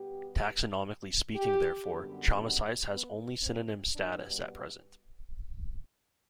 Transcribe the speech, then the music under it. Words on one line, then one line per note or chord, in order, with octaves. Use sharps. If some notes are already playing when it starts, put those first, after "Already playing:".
Taxonomically speaking therefore, "Chamaesyce" has only synonym status at present.
Already playing: B2 G3 B3 G4
G4
F#2 D3 G3 B3
F#4
B3
C4
B2 G3 B3 D4